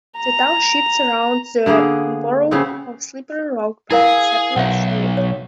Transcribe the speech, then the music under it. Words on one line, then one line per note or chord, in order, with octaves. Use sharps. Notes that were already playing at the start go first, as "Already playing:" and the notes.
The township surrounds the borough of Slippery Rock but is separate from it.
A#5
D3 A#3 B3 G#4
C#3 B3 C4
E4 G#4 A#4 F5
B1 E5 F#5
C#5